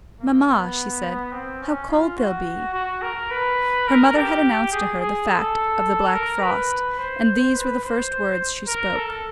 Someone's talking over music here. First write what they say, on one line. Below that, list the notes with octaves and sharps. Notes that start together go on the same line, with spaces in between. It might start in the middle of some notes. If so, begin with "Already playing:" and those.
"Mamma," she said, "how cold they'll be!" Her mother had announced to her the fact of the black frost, and these were the first words she spoke.
A#3
B3
C4
C#4
F4
F#4
F#4
A#4
B4
A#4
G4
G#4
G#4
A4
A#4
B4
C5
B4
C5
A#4
A4